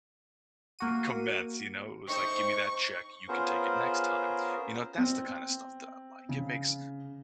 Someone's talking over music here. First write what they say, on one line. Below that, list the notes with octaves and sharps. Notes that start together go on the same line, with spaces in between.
commence, you know? It was like, "Give me that check, you can take it next time," you know, that's the kinda stuff that I like, it makes
A#3 F#4 D#7
C4 D#4 C5 C#6
B3 C#4 F4 G#4 A#4 C5
C4
C#3